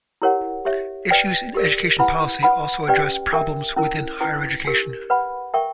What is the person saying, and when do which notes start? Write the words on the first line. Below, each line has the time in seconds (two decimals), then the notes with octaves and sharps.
Issues in education policy also address problems within higher education.
0.22 E4 G4 A#4 C#5 F#5
0.65 G4 C#5 E5
1.11 B4 D5 G5
1.55 G4 A#4 D5
1.99 E4 B4 F#5 B5
2.43 B4 F#5 B5
2.88 C#4 G4 B4 D5 G5
3.33 D4 A#4 E5 G5
3.76 C#4 E4 A#4
4.21 C#4 E4 B4
4.65 D4 G4 A#4
5.10 B4 F#5 B5
5.54 A#4 E5 G5 C#6